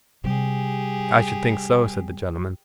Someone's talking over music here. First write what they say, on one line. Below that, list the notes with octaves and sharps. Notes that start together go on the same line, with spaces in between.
'I should think so,' said the gentleman.
C3 G3 G4 G#4